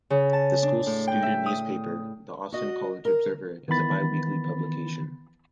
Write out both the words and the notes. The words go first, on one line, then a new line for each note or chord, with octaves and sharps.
The school's student newspaper, the Austin College "Observer", is a bi-weekly publication.
C#3
A5
D4
A2
G5
E5
D#6
F#4 D#5
A#4
D#3 E3 B3 B5 A6